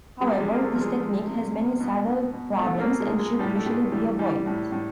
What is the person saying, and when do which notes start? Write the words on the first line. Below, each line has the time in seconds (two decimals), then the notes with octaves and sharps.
However, this technique has many subtle problems and should usually be avoided.
0.20 C3 G#3
0.32 G3
0.40 G#3
0.47 C3 A#3
0.61 A3
0.75 F3
0.81 G#3
1.00 F3
1.27 C3
1.54 C3
1.80 B2
2.07 B2
2.33 B2
2.59 B2 A3
2.80 A#3
2.87 B2
3.00 G#3
3.13 B2
3.19 G#3
3.39 A2 G3
3.55 A3
3.66 A2 G#3
3.92 E3 G3
4.19 E3 G3
4.46 A2
4.72 A2